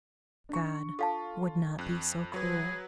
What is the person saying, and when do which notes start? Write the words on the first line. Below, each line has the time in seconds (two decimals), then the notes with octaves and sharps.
God would not be so cruel.
0.49 D4 C#6
0.99 F4 A4 F5 A5
1.78 F2 F#6
2.34 F#3 G#4 B4